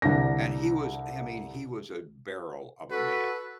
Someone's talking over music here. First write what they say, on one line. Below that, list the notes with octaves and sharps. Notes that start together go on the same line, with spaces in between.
And he was I mean, he was a barrel of a man.
C2 D3 D4 A#6
F#4 A4 B4